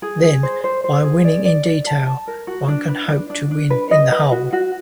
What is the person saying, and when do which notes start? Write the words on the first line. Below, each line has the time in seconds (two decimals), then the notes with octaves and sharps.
Then, by winning in detail, one can hope to win in the whole.
0.02 G#4
0.23 G#4
0.43 C5
0.64 C5
0.84 C5
1.04 G#4
1.25 D5
1.45 D5
1.66 D5
1.87 A5
2.07 A5
2.27 A#4
2.47 F#4
2.68 D4
2.88 B4
3.09 D4
3.30 D4
3.51 D4
3.70 B4
3.91 D#5
4.12 B4
4.32 F#4
4.53 F#4